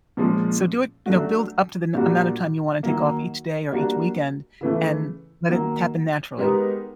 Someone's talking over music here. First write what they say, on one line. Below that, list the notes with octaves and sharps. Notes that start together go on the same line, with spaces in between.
So do it, you know, build up to the n amount of time you wanna take off each day or each weekend, and let it happen naturally.
A#2 F3 G#3 C#4
F#3 A3 D4 F#4
A#2 G3 A#3 D4 F#4
D#3 F#3 A#3
G3 A#3 D4 F#4
C#3 E3 A3
D#3 F#3 A#3
G#3 B3 D#4 G4 A#4